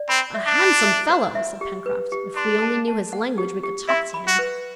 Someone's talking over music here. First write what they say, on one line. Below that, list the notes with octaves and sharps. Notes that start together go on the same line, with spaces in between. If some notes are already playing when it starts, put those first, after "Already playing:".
"A handsome fellow!" said Pencroft; "if we only knew his language, we could talk to him."
Already playing: D5
C4 B5
E5
D4
B5
E5
C5
E5
G4
B4
G4
D4 C6
A5
A5
F#5
G4
G4
E4 E5
B5
F#4
B4